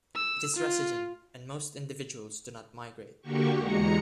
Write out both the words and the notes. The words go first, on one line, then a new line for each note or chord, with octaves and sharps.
It is resident, and most individuals do not migrate.
E6
F4
D3 A#3 F#4 G4 C#6
E2 G#3 A#5 C#7